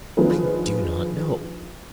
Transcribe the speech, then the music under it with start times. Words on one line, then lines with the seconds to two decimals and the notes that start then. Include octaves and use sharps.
I do not know.
0.17 D#3 F3 D4 F4 G#4 B4